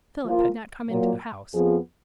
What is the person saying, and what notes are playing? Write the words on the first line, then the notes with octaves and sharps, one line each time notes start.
Philip had not come into the house.
F3 A#3 F4
A#2 F#3 A#3
F2 F3 B3 F4 G#4